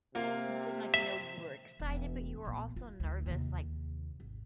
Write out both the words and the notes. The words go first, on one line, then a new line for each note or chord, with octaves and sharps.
you said, like, you know, you were excited, but you were also nervous. Like
C3 A#3 F4
E5
E1
B1 A#2
F4
D2 A3
D#2 C3
G#1